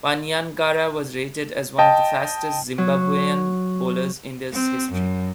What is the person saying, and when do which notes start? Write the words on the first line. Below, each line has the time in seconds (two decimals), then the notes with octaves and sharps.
Panyangara was rated as one of the fastest Zimbabwean bowlers in their history.
1.78 D#5 G5 A5
2.78 F#3
4.52 C4
4.90 F#2